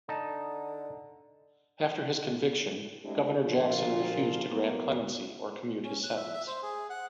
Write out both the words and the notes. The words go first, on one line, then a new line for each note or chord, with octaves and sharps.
After his conviction, Governor Jackson refused to grant clemency or commute his sentence.
D3 D#4 A5
G#3 A3 C4 D4 E4 G4
A#2 D3 F3 A#3 F4 F#4
B2 F#3 A#3 B3
C#4
F#6
E5
E5
C5
G#4
F#5